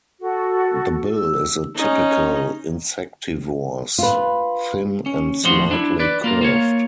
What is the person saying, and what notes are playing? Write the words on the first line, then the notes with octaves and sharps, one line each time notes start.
The bill is a typical insectivore's, thin and slightly curved.
F#4 A4
E6
C#4 D#4
F4 B4
C#4
F2 A2 F3 F#4 C6
D4 E4
B4 D5
A#3 F4 A#4
A#3 F4 C#5